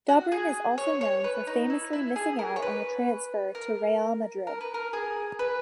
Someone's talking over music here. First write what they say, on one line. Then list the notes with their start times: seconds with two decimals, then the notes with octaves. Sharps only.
Dobrin is also known for famously missing out on a transfer to Real Madrid.
0.09 F#4
0.32 G#4
0.78 C#5
1.01 C#5
1.24 B4
1.47 D#4
1.70 E4
1.93 E4
2.16 G#4
2.39 A#4
2.56 C#5
2.62 B4
3.55 A#4
4.47 A#4
4.61 B4
4.74 A#4
4.93 G#4
5.39 B4